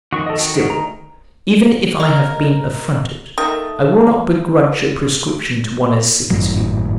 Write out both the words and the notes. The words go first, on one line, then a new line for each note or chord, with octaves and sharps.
Still, even if I have been affronted, I will not begrudge a prescription to one as sick as you!
F2 D#3 F#4 C#6
A4 D#5
D#3 F#4
D2 G#2 D#3
A#5
A#4 D#5
D#3 A3 A#3 D#6
G#1 F#2 A2 F#3